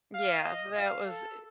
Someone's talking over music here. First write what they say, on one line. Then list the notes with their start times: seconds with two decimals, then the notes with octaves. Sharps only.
Yeah, that was, i
0.14 F5
0.45 D#5
0.75 F5
1.07 A4